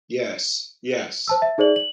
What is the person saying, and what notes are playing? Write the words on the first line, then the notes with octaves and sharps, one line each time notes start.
Yes, yes,
C5 A5 E6
E5
D#4 G#4 C5 D5 F#7
F#7